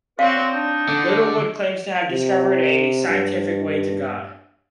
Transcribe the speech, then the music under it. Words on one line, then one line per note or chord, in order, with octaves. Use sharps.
Littlewood claims to have discovered a scientific way to God.
C4 F#4 C#5 D5 F5
D4 D#4
D3
C3
G2